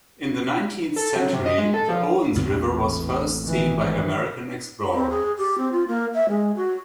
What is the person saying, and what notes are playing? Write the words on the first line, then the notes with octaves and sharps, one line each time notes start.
In the nineteenth century, the Owens River was first seen by American explorers.
A4
F#3
C3
D#5
G#3
A4
F3
A1 E2 A#2 B3 C4
D#3 E3
C4
G#4
G4
C4
F4
A#3
E5
G#3
F#4